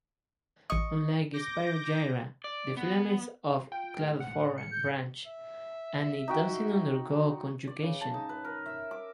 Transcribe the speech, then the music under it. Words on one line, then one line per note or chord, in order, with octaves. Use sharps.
Unlike "Spirogyra" the filaments of "Cladophora" branch and it doesn't undergo conjugation.
A1 D#5 C#6 D#6
D6 G6 A#6
D5
B3
F4 G5
A2 G#3 F6
F#5
C#7
G6
E5
D#4 F#4 G5
D5
C#3
A5
D#4
B4
A#4
E5
D6